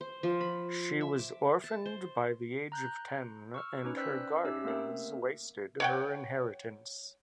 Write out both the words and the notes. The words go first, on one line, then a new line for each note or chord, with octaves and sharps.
She was orphaned by the age of ten and her guardians wasted her inheritance.
C5
F3
B5
E5
D6
A5
C5
A#5 F#6 G6
C#6 E6 F6
C#4 D#4 B4
C5 D5 G5 E6 F#6 B6
C#4 D#4 G4 E5 E6
A3 A#3 C4 A#4 E5
C#5 F#5 G5